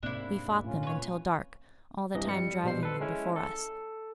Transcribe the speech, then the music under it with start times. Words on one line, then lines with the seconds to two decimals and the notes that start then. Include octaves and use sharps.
We fought them until dark, all the time driving them before us.
0.03 G#2 C3 A#3 C4 D4 E4
0.38 D#2
0.64 A#2 A3 C#4 F4
0.83 B4 C#5
2.15 G2 C3 E3 D#5
2.29 F2 G3 C#7
2.63 A#1 B2 G3 C5 C7
2.83 A4 B4
3.00 G#3 C#4 E4
3.36 A4